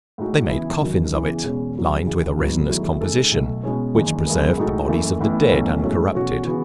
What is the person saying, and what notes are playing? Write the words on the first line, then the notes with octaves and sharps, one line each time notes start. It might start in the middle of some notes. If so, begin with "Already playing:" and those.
They made coffins of it, lined with a resinous composition, which preserved the bodies of the dead uncorrupted.
A2 G#3 D#4 F#4
C#3 E3 B3 E4 G#4
G#1 F#2 D#3 F#3
E2 C#3 E3 B3 E4
E2 B2 G#3 C#4
E2 C#3 F#3
C#2 C#3 E3
G#1 G#2 F#3 B3
E2 D#3 F#3 A3 E4
C#3 G#3 D#4 A4
B1 B2 A3
B2 G#3 C#4
F#1 E2 D#3
F#2 C#3 G#3 B3
A2 G#3 D#4 F#4 A4
F#1 F#2 E3 A3
A1 A2 E3 B3 E4
B1 A2 E3 A3 C#4
G#2 F#3 A3 C#4
E2 B2 A3 C#4 F#4
C#3 E3 B3 F#4